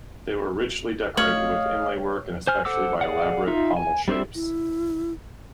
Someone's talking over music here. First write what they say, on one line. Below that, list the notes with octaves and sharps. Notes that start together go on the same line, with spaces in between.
They were richly decorated, with inlay work and especially by elaborate pommel shapes.
A3 C#5 D#5 F5 F6 F#7
C5 G#5 F6
A4 C5 F#5 D6 E6
G#4 D5 F5 F#5
D#4 F4 E5
G#5
G3 C4 D4 C5 E5
E4